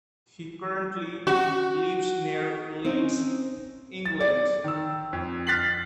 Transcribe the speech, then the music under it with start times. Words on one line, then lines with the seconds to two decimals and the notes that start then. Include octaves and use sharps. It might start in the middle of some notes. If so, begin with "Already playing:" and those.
He currently lives near Leeds, England.
1.27 F#4
2.85 C4 C#4 D#4
4.06 A6
4.20 D5
4.64 D#3 E6
5.13 F2
5.47 F6 F#6 A6 B6 C7 F#7